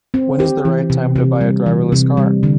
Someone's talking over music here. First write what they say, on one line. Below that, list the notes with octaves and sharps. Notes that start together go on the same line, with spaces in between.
When is the right time to buy a driver-less car?
C4
G4
E3
C3
C3
G3
E3
C3
G3
D3